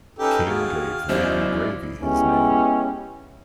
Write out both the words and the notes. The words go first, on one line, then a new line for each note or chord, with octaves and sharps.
King gave Wavy Gravy his name.
C#4 D#4 G4 A4 B4
D#2 F#4 G#4 F5
B1 F#2 E4 C5 D5
G#3 B3 C#4 E4 G4